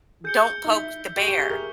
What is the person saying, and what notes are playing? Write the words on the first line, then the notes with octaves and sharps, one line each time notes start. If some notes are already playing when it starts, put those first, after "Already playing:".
don't poke the bear
G#4 G6 C#7 G7
D#4
E4 G6 B6 G7
G4 C#6 G#6 B6 G7
G4
G#4
A#4